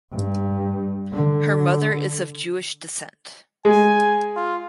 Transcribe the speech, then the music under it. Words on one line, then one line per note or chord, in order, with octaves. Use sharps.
Her mother is of Jewish descent.
G2
D3
G#3 G#5
F4